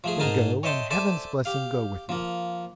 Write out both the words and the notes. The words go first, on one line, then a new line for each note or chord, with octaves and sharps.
Then go, and Heaven's blessing go with you.'
F3 A3 G#4
G#2 D#4 G#4 A#4 G#5 A5
C#5 D#5 E5 G5 A5 C6
A4 C5 D5 E5 G#5 A5
G4 F5
F3 A#3